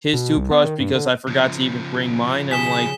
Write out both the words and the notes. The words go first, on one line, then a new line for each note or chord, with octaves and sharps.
his toothbrush because I forgot to even bring mine, I'm like,
B2
C2
B3
D#3
G2
D3
C#3 F3
G#4 B6 E7 G7